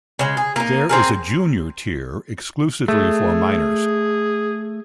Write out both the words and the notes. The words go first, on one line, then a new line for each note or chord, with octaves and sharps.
There is a Junior tier exclusively for minors.
C#3 G#3
G#4
A#3 D#4
C4 G#4 A#4
A3 G#4